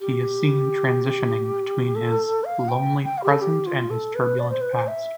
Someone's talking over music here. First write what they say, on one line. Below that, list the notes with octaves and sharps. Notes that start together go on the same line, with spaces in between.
He is seen transitioning between his "lonely present and his turbulent past".
G4
A4
F5
G5
G5
F5
G4
A4
G4
F4
A4
B4
D5
C5
B4
C5
E5